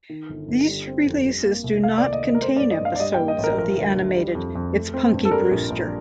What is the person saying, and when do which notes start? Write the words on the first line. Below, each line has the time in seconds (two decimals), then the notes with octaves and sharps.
These releases do not contain episodes of the animated "It's Punky Brewster".
0.09 D#3
0.29 G1
0.48 G1
0.68 G3
0.87 C4
1.06 F2
1.25 G3
1.45 A#3
1.64 C2
1.83 A3 F5
1.98 D5
2.04 D#2
2.13 D#5
2.22 D#2
2.35 A#4
2.41 A3 C5
2.57 D5
2.61 G2
2.71 D#5
2.81 G2 F5
2.95 D5
3.00 G3 D#5
3.14 G5
3.19 A#3
3.28 D#5
3.38 A1
3.44 A#4
3.58 F3 A#4
3.77 D2
3.96 D2
4.16 G3
4.35 F2
4.55 F2
4.74 A3
4.94 C4
5.13 G2
5.25 A4
5.31 G3 A#4
5.51 A#1
5.70 A#1